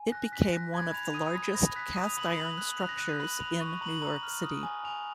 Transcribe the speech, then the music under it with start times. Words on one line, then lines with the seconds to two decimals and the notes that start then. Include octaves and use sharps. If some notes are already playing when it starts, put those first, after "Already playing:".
It became one of the largest cast-iron structures in New York City.
Already playing: G#5
0.12 F#6 A#6
0.32 F#6 B6
0.53 F#6 A#6
0.74 B5 G#6
0.93 B5 F7
1.05 F7
1.14 D#6 D#7
1.36 B5
1.55 B5 A#6
1.75 F#6 B6
1.96 D#6 D#7
2.07 F7
2.17 B5 F#7
2.28 F7
2.38 B5 F#7
2.58 F#6
2.79 F#6 F7
2.89 A#6
2.99 F#6
3.09 D#7
3.20 B5 F#7
3.40 B5 F7
3.61 C#6 D#7
3.71 F7
3.81 A#5 F#7
3.91 F#7
4.02 A#5
4.23 F6
4.44 D#6
4.63 G#5
4.84 G#5 F7